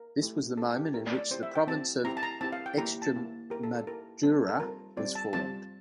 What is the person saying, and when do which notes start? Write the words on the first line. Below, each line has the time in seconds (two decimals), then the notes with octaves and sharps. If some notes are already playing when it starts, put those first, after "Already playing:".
This was the moment in which the province of Extremadura was formed.
Already playing: A#4
0.21 A3 E4 G4
0.57 A3 E4 G4 A4
0.76 G4
0.94 A3 E4 G4 A#4
1.07 D5
1.18 D5
1.31 C4 E4 G4 C5
1.43 E5
1.56 G5
1.68 C4 E4 G4 A5
2.04 C4 E4 G4 A#5
2.17 A5
2.23 A#5
2.41 C4 E4 G4 A5
2.53 F5
2.66 G5
2.78 A#3 E4 G4 A#5
3.02 A5
3.15 A#3 E4 G4
3.50 A#3 E4 G4 A#4
3.63 A4
3.75 A4
3.87 A#3 E4 G4 A#4
4.23 G3 C4 F4 A4
4.49 A4
4.60 G3 C4 F4 A#4
4.97 G3 C4 F4 D5
5.15 A5
5.33 G3 C4 F4 A5